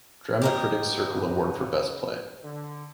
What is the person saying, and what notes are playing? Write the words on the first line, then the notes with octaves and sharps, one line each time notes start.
Drama Critics Circle Award for Best Play.
G4 A#4 D#5
C#3 F#4 B4
D3